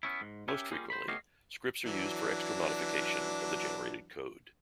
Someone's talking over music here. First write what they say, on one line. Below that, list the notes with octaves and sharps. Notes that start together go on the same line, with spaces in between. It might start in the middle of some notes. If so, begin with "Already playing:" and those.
Most frequently scripts are used for extra modification of the generated code.
B3 C#4 E4
G#2
C#4 G4 A#4 E5 G#5
G3 A#3 C#4 F4 G#4
C5 B5
A3 B3 G4 C#5 D#5 F5
E3 F#3 D4